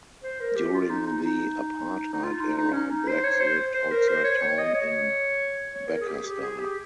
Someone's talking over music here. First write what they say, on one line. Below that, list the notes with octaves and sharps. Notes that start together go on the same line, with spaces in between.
During the apartheid era, blacks lived outside town in Bekkersdal.
C5
A#4
G4
F4
D#4
D#4
D#4
D#4
F4
D#4
D#4
C#4
D#4
C5
C#5
C5
C5
A#4
C5
C#5
C#5
D#5
C#5
C#5
A#4
G#4
G4
G#4
G4
G#4
G4